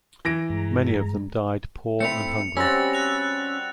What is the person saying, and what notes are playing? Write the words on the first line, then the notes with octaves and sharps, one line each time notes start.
Many of them died poor and hungry.
E3 A#6 D7
G2 G#3 A#5
A3 C4 E4 C#7 F7
G3 C4 C#4 F#4 E6 A6
F#6 F7